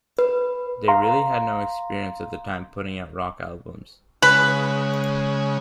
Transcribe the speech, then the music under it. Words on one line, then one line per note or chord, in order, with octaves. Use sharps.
They really had no experience at the time putting out rock albums.
B4
F5 A#5 C6
C#3 G#3 B4